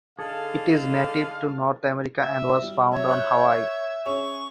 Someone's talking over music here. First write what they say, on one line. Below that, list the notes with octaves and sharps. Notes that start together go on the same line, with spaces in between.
It is native to North America and was found on Hawaii.
D3 D#4 G#4 A4 F5
E5
G3
F#3 C#5 E5
C#6 F#6 G6
C#4 G#4 C#5 C#6